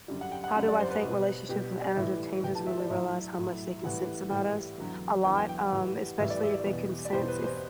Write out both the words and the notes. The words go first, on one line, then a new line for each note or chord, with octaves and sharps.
How do I think relationships with animals changes when we realize how much they can sense about us? A lot, um, especially if they can sense if,
F#2 D3 G3
F#5
G5
F#5
F#2 D3 G3
D5
C5
B4
B2 G3
B2 G3 G4
D5
A2 E3 G3 E5
A2 E3 G3 G5
A5
E5
D5
A2 F#3 E5
A2 F#3
A2 E3 G3 F#5
A2 E3 G3 G5
E2 D3 F#3
E2 D3 F#3 G5
G5
G5
F#5
A2 E3 G3
A2 E3 G3 E5
D5
E5
D5
E2 B2 G3
D5
E2 B2 G3 C5
B4
C5